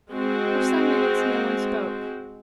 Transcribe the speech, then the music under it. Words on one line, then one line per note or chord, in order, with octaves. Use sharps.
For some minutes no one spoke.
G#3 C4 F#4